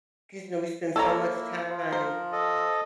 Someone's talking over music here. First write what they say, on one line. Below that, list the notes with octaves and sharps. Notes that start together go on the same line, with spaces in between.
'cause, you know we spend so much time
A#3 E4 A4 C#5 A#5
F3
A#4 C5
A4 D#5